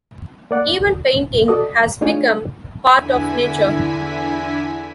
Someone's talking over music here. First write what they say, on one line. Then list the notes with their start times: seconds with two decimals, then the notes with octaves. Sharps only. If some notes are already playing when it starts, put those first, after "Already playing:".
Even painting has become part of nature.
0.51 A#3 D5 F#5
1.48 F#4 A4 D5 D#5
2.01 A3 D4 D#4 F4 G#4 C#5
2.92 E2 D3 E4 G#5 B6